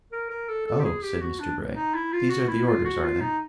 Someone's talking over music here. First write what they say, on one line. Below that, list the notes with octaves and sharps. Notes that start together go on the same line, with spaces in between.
'Oh!' said Mr Bray. 'These are the orders, are they?'
A#4
A#4
A4
A4
G4
G#4
G4
F#4
D4
D#4
E4
F4
F#4
E4
F4
F#4
F4
D#4